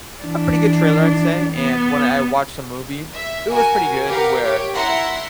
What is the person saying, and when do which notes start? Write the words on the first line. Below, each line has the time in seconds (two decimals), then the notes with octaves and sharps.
a pretty good trailer, I'd say. And when I watched the movie, it was pretty good where
0.21 E3 D4
1.55 B3
3.13 E5
3.50 F#4 A#4 G#5
4.07 G4 A#4 B4 F5 F#5
4.41 G4 C#5 G5
4.74 E4 E5 F#5 A#5 C6